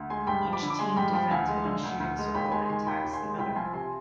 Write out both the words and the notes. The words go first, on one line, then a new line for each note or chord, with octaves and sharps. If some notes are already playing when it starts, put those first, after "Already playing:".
Each team defends one shooting circle and attacks the other.
Already playing: D2
G#3 G#5 C6
G2 G5 B5
F3
B5 D6
D3
D6
G#3 G#5 C6
G2 G5 B5
F3 G5 B5
D2 F5 G#5
G#3
D3
D2
D2
G#3
D#2 G5 B5
G#3 G#5 C6
D#3 G#5 C6
D#2 G5 B5
D#2
G#5 C6
G#3
C2 G5 B5
F3 G#5 C6
C3 G#5 C6